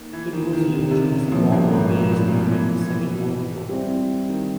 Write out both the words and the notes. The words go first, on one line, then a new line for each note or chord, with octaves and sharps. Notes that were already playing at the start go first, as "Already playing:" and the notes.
It was used as a bomber base during the Second World War.
Already playing: A#3 D#4
E3
D#3
D#3
D3
C3
C#3
A#2 F3 A#3 C#4 E4
G2
G#2
A2
A#2
B2
E3
E3
E3
G3 C4 E4
D#3